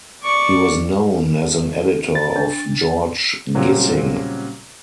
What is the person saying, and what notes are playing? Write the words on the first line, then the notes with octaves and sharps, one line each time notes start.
He was known as an editor of George Gissing.
D5 C#6
A6
D4
A#2 C#3 F#3 G3 C4 C#4